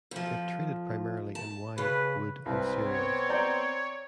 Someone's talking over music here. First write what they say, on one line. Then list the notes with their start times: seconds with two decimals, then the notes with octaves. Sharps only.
It traded primarily in wine, wood and cereals.
0.11 F2 F3
1.35 A5
1.78 C#3 B4
2.46 C2 C4 B4
2.83 B3 C#5
3.29 D5 A#5 G6